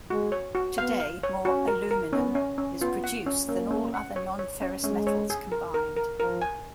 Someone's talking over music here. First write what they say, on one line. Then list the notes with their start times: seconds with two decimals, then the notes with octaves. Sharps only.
Today, more aluminum is produced than all other non-ferrous metals combined.
0.10 G#3 F#4
0.32 C#5
0.55 F#4
0.78 B3 F5
1.00 F5
1.23 C#5
1.45 C#4 F#4
1.68 A#4
1.91 A#4
2.13 B3 C#4
2.35 C#4
2.58 C#4
2.81 B3 F4
3.04 F#5
3.26 C#4
3.48 A#3 C#4
3.71 C#4
3.94 F#5
4.16 C#5
4.39 C#5
4.61 C#4
4.84 G#3 C#4
5.07 C#5
5.30 G#4
5.52 A#4
5.74 A#4
5.97 A#4
6.19 F3 A#4
6.42 G#5